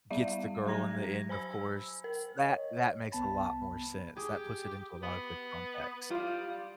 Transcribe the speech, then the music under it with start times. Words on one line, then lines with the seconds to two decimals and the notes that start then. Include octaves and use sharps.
gets the girl in the end, of course, s that that makes a lot more sense, that puts it into a lot of good context.
0.10 G3 B3 D5 E5 F5
0.66 F#3 G4 A#5 G#6 A#6
1.29 C5 G#5 B5 E6
2.04 A#4
2.38 C#5 D#5
3.12 C2 B3 A5 B5
4.17 G4 G#4
5.03 B3
6.10 G3 F4 F5